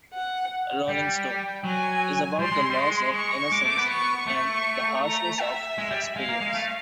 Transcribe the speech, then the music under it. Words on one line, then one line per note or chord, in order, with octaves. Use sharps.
'Rolling Stone' is about the loss of innocence and the harshness of experience.
F#5
G3 G5
F#3 G#5
G3 C6
G#3
G3
G#3
C#6
G#3 D6
A3
B3
C#6
A3 C#6
A#5
E5
G#3
G3
G#3 F5
A#3
G#3
A3